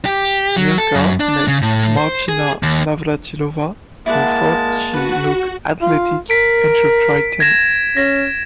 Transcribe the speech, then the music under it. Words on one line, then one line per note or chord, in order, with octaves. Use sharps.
Mirka met Martina Navratilova, who thought she looked athletic and should try tennis.
G4
F#3
A4
F#2
D4
C#3
A2
C5
G#4
D#2
G#3 A#3 E4 D5 F#5 A5
F#4 B4 F#5
F4
A#4 B6 D7
G#6 A#6 E7
C#4 A#6